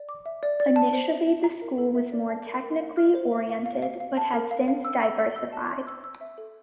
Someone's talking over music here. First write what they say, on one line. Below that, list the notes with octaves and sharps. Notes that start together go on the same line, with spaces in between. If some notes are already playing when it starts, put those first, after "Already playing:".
Initially the school was more technically oriented but has since diversified.
Already playing: D5
D6
E5
D5
D5
A5
C5
E5
E5
A#5
A#4
A4
E5
D5
A5
A#4
A#4
F5
F6
C5
E5
F5
F5
F5
F5
A5
A#4
F5
F5
E6
E6
E6
E6
A5
C6
E6
E6
E5
A4